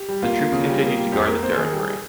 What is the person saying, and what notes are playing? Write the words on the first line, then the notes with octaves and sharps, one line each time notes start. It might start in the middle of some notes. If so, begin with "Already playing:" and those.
The troops continued to guard the territory.
Already playing: G4
G3
A#3 F4
A#3
C#3
G3
A#3
G3
F2 G4
A#3 A#4
A#3 C5
D#3 G#4
G3